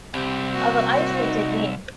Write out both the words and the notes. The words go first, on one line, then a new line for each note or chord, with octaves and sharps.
Our eyes met again.
C2 C4 G4
A#3 F#4
D#4